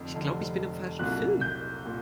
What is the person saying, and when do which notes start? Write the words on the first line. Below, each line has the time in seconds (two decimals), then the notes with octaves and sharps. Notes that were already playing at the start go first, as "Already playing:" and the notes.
Ich glaube, ich bin im falschen Film.
Already playing: F1 F2 D3
0.14 F1 F2 D3
0.99 C2 A#2 F#3 F#6
1.41 G6
1.85 A#2